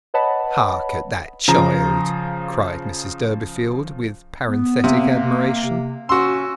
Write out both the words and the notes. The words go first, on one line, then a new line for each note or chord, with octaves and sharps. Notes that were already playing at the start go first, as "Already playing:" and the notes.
"Hark at that child!" cried Mrs Durbeyfield, with parenthetic admiration.
B4 C#5 D#5 F#5 A5 B5
C#3 F3 A#5
B3
C3 A#3
C3
C#4 F#4 C6 E6